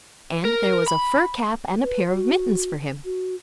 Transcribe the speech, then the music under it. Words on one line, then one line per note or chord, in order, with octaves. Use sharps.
And there was a fur cap and a pair of mittens for him!
A#4
B5
B4
F#4
F#4